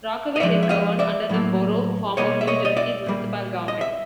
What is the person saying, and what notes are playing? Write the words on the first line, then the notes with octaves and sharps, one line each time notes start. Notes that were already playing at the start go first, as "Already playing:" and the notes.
Rockaway is governed under the Borough form of New Jersey municipal government.
D#5
A2 F3 G#3 D5 E5
E5
D#5 F5
D5 E5
A2 F#3 A#3
B2 G3 A#3 C#5 D#5
E5
C#5 D#5
D#5
D5 E5
A#2 G3 A#3
D#5
E5